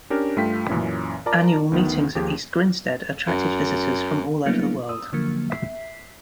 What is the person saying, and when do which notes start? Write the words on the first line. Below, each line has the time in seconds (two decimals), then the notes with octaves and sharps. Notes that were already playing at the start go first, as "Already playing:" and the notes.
Annual meetings at East Grinstead attracted visitors from all over the world.
0.10 C#4 D4 G4 A#4
0.37 G2 A3 F4 G5 B6
0.69 F#2 A#2 E3 C#4
1.26 F4 A#4 D5 A5 A#5 D6
1.72 D2 D#3 B3
2.15 D#2 F3 G4 G#4
3.27 F#2
4.46 F#3 G3 A#3 B3 D4 E4
4.89 D#6 E6
5.13 D3 F3 F#3 A#3
5.50 E5 B6 C7